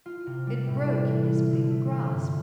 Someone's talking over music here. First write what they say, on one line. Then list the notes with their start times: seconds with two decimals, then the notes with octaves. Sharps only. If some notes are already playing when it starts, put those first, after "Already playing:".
It broke in his big grasp.
0.06 F4
0.27 C3
0.47 G3
0.67 A2
0.88 A2
1.09 E3
1.29 F4
1.50 D3
1.71 A3
1.91 F4
2.12 G2